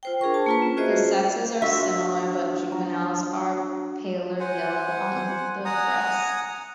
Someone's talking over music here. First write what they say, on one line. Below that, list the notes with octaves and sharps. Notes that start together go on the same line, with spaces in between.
The sexes are similar, but juveniles are paler yellow on the breast.
F4 C5 G5
D4 G#4 A#4 C#6
A5
A#3 F4 B4
C#4
F4 F#4 G#4 C5 D#5 E5
D4 F4 F#4 E5 F5
F#3
C5 F#5 G#5
F#5 G#5 A#5 D#6